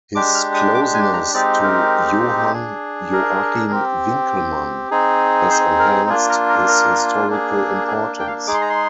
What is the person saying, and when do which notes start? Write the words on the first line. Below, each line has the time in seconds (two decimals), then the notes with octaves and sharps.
His closeness to Johann Joachim Winckelmann has enhanced his historical importance.
0.15 G#3 D4 G4 D6
0.35 F6
0.55 D#6
0.74 D6
0.94 G#5
1.13 A#5
1.34 G#3 C4 D#4 G4 D5
1.63 A#4
2.53 D4 G#4
3.13 A#4
3.71 C4 G4
4.91 C4 D#4 G#4
5.50 C5
5.79 A#4
6.09 A#3 D4 F4 G#4
6.29 A#4
6.49 A#4
6.68 A#4
7.28 A#3 D4 G#4
7.88 G#4
8.20 G5
8.27 F5
8.47 G#3 D#4 G#4 D6
8.54 C6
8.62 A#5
8.70 C6